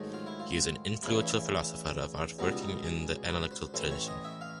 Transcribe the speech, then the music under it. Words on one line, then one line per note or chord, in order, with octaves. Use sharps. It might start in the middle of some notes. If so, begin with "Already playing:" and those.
He is an influential philosopher of art working in the analytical tradition.
Already playing: G#2 D#3 F#3 A3
F4
E4
F4
E2 C#3 E3 A3 E4
C#2 B2 G3 B3 D#4
D#4
G#4
B4
C5
A1 A2 E3 C5
C#5
D#5
E5
F5